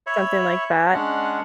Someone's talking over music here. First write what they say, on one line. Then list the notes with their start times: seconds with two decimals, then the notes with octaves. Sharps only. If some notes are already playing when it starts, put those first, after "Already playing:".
something like that
0.07 C#5 E5 B5
0.93 G#3 C#4 D4 F#5